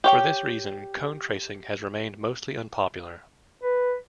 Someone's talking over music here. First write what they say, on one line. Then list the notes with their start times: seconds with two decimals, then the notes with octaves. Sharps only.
For this reason, cone tracing has remained mostly unpopular.
0.04 G4 C#5 G5
3.63 B4